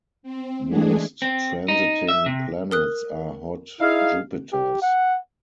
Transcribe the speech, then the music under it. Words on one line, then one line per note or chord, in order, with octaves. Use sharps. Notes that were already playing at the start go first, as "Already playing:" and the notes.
Most transiting planets are hot Jupiters.
C4
E3 G#3 A3 D4 G#4
C4
D#4
E5
C3
A#4 D#6 F#6
D#4 E4 G#4 F5
G4
F#5